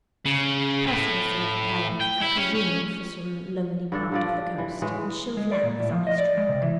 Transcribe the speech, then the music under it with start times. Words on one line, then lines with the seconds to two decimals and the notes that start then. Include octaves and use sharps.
Percy has sailed for Calais, I presume for some lonely part of the coast, and Chauvelin is on his track.
0.26 C#3
0.87 A2
2.00 G5
2.22 E4
2.37 C#4
2.54 C#4
3.92 G2 D4 A4
4.12 G2 F3 D5
4.58 E3
4.82 A2 E3 G#3
5.37 G#3
5.51 D5
5.63 A#2
5.80 A2
5.92 F3
6.07 D#5
6.18 D5
6.37 G#3
6.49 C3
6.63 E3